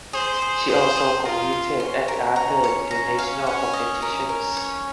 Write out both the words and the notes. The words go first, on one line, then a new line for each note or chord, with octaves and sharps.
She also competed at other international competitions.
G#4 C5
G#4
G#4 C5
G#4
F4 A#4
C6
C#4 C6
A#4
C#4 A#5
C#5
A#5
F5
C#4 F#5
D#5
C#4 A#4
A#4
C#5